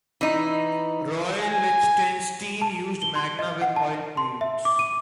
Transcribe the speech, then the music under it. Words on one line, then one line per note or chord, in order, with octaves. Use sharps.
Roy Lichtenstein used magna with oil paints.
E3 D#4
G#5
A5
G7
C6
D#5
F#5
A5
C6
E5
D6
D#7